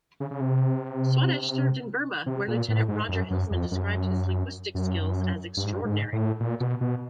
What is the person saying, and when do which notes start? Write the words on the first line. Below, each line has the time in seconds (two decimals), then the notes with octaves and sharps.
Swadesh served in Burma, where Lieutenant Roger Hilsman described his linguistic skills as extraordinary.
0.20 C#3
0.31 C#3
0.41 C3
2.26 C3
2.48 A#2
2.68 A2
2.88 G#2
3.09 F#2
3.30 F#2
3.51 F2
3.71 F#2
4.75 F#2
5.57 G2
5.64 G#2
5.72 G2
5.85 G#2
6.13 A2
6.40 A#2
6.60 B2
6.81 B2